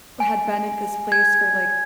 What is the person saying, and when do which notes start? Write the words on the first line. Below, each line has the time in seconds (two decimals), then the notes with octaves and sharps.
had been at this place for like
0.20 G#5
1.12 G#6